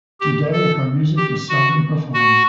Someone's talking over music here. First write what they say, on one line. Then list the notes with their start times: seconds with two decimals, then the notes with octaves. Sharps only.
Today her music is seldom performed.
0.20 G4
0.52 A4
1.17 G4
1.49 F#4
2.14 F#4